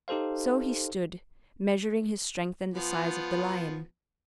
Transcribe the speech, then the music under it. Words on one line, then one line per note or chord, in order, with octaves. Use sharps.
So he stood, measuring his strength and the size of the lion.
D#4 G4 A4 C5 F5
F3 B3